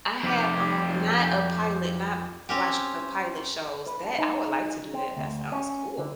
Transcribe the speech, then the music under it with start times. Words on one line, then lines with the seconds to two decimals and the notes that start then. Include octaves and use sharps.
I have, um, not a pilot, not watched the pilot shows that I would like to do that. That sounds cool.
0.23 F2 G4
2.49 C4 C#4 G4
3.86 B4
4.04 D4
4.18 D#4
4.94 C4
5.17 D2
5.52 C#4
5.98 D3